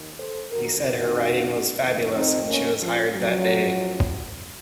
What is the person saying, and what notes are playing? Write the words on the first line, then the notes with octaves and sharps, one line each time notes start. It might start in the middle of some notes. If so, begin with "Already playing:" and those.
He said her writing was fabulous', and she was hired that day.
Already playing: D#2 D#3
A4 C5
F2 C3 D#3 F#4 A#4
D#4 F#4
F2 D#3
C4 D#4
A#3 C#4
F3
F#2 F3 F#3